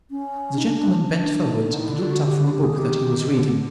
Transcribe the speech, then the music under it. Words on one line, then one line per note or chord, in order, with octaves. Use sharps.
The gentleman bent forward, and looked up from a book that he was reading.
C#4
D#4
D4
D4
C#4
D4
D#4
D3 D#4
D#3
D3 E4
F4
F#4
G4
G4
G#4
D#3 G4
D#3
D3